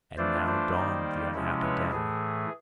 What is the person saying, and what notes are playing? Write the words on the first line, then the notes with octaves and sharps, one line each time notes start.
And now dawned the unhappy day.
E3 A3 D4 F4 C5 D5
C5 D5
D#3 G3 A#3 D#4
C3 F3 G#3 C#4 E4
B4 C#5
A2 E3 A3 G#4